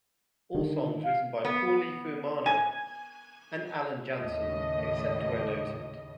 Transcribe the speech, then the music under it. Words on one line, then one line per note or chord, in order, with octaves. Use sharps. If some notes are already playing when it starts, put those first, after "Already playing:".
All songs written by Pauly Fuemana and Alan Jansson except where noted.
D3 D#3
F5
B3
G#5
D#2 A2 C#3 D#5